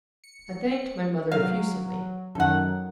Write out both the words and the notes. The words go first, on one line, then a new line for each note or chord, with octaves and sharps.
I thanked my mother effusively.
C#7
F#3 F5
F#2 D#3 A4 F#5